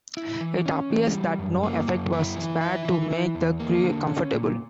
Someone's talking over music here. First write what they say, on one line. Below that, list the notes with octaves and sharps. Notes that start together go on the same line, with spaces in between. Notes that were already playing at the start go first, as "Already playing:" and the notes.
It appears that no effort was spared to make the crew comfortable.
E4
E3
C#4
E3
G3
F#2
A#3
F#2
E4
E3
E4
E3
E3
E2
A#3
D3
C#4
A#2